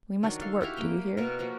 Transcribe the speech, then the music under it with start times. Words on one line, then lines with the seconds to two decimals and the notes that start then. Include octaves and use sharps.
We must work, do you hear?
0.23 D#3 F#3 D4
0.41 A4 F5
0.61 E4 F#4 G4 F5
0.76 A#3 G5 A#5
1.17 B2 A#3 A#4
1.39 F3 A#3 F#4